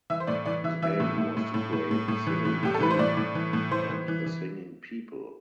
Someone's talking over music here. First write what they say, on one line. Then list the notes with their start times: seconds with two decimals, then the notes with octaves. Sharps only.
His aim was to create "a singing youth" and "a singing people".
0.10 E3 E5
0.20 C5
0.27 A2 D5
0.46 E3 D5
0.64 E3 E5
0.82 E3 E5
1.00 A2
1.18 A2
1.37 A2
1.54 A2
1.73 A2
1.91 A2
2.08 A2
2.27 E3
2.45 A2
2.63 A2 G4
2.74 A4
2.81 E3 B4
2.91 C5
2.99 A2 D5
3.17 A2
3.35 E3
3.53 A2
3.71 E3 C5
3.90 E3
4.08 E3
4.26 E3